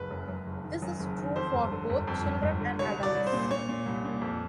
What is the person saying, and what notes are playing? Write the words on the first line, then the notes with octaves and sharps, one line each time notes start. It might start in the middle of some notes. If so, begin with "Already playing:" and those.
This is true for both children and adults.
Already playing: F#1 B4
F#2
F#2
F#1
D#3
F#2
F#1
D#3
F2 C5
G1
D3
G1
F2
G1
G1
D3
C2 C#5
C2
D5
C2
C5
A#2
A#2 C#5
A#2
C2
A#2
F2